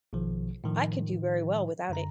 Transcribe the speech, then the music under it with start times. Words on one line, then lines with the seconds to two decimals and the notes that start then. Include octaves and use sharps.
I could do very well without it.
0.13 A#1 B2 D#3 F3
0.64 A2 D#3 F3
1.89 F#2 D3 A#5